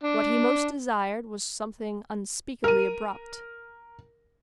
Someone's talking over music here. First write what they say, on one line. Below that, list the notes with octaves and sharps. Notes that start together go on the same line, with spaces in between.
What he most desired was something unspeakably abrupt.
D4
A#4 D#7